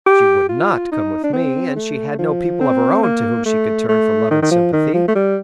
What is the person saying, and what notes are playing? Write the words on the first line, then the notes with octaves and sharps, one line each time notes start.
She would not come with me, and she had no people of her own to whom she could turn for love and sympathy.
G4
F4
D#4
D4
C4
A3
F3
C4
A#3
A3
A3
D#3
D#3
F3
D#3
F3
A3
G3